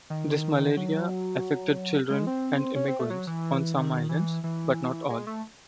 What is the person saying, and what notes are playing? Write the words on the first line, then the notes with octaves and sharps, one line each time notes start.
This malaria affected children and immigrants on some islands but not all.
D#3
F#3
G#3
C4
C#4
C4
A3
F#3
E3
D#3
E3
E3
G#3
A3